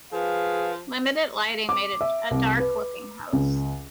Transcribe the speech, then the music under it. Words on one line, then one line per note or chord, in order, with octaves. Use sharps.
Limited lighting made it a dark looking house.
F3 G#4 B4 F5
D6
E5
C2
B4
C#2